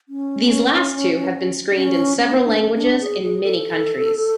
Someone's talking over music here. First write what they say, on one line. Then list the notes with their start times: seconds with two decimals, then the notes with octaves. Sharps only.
These last two have been screened in several languages in many countries.
0.09 C#4
1.71 D4
1.76 C#4
2.18 C#4
2.31 D#4
2.45 D4
2.59 C#4
2.75 C#4
2.80 D4
3.01 G#4
3.22 G#4
3.42 A4